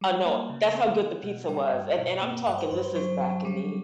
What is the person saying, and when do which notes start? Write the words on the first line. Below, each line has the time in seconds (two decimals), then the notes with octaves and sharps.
I know. That's how good the pizza was, and and I'm talking this is back in the
0.01 G3
0.25 A#3
0.50 C#3
0.75 B3
0.99 B3
1.23 B2
1.48 G3 G5
1.73 G2
1.98 B2
2.22 A#3
2.46 G2 F#5
2.58 C5
2.71 G2 B4
2.83 C5
2.95 F#3 C5
3.21 F#3
3.45 G3